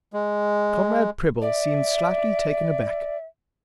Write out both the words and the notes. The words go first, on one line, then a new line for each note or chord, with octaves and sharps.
Comrade Prebble seemed slightly taken aback.
G#3
D5 E5